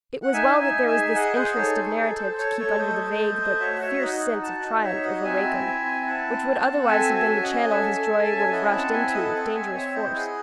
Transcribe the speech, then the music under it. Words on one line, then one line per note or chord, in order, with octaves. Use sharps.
It was well that there was this interest of narrative to keep under the vague but fierce sense of triumph over Wakem, which would otherwise have been the channel his joy would have rushed into with dangerous force.
F#5
D#4 E5 G#5
D#4
E5 G#5
D#4
E5 G#5
G#4
G#4 D#5 F#5
G#4 C5 D#5
D#4 A4 C#5
G#4 C5
A4
A4 C5
C5
A4 C#5
A3 A4 C#5
A3 C5 D#5
A4
A3
A3
F#4 C#5 E5
F#5
F#4 C#5 E5
D#4 D#5 F#5
F#4
F#4 F#5 A5
D#4
D#4 C#5 E5
F#4 D#5 F#5
C4 E5 G#5
E4
C4
E4
E4 F#5 A5
C4
C4
C4
A5
A4 E5 G#5
F#4
E5 G#5
C#4
D#5 F#5
C#4
A4 E5 G#5
A4
A4
A5
C#4
G#5
E4 D#5 F#5
C4 F#5 A5
E4 E5 G#5
A4 D#5 F#5
C4 D#5 F#5
F#5
C4 E5 G#5
C4 C#5 E5
E4 C5 D#5
G#4 D#5 F#5